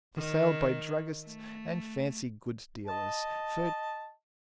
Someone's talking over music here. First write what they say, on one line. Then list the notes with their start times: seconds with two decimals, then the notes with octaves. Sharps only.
For sale by Druggists and Fancy Goods Dealers. Ferd.
0.18 D#3
1.27 A3
2.87 D#5 A5